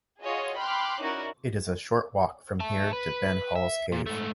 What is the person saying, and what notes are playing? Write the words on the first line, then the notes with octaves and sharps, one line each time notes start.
It is a short walk from here to Ben Halls Cave.
F4 F#4 G#4 C#5 D#5
G5 B5 C6 D6 F6 F#6
C#4 D#4 E4 F#4 A#4 D5
E5 A5
B4
E5
A#2
G#2 A3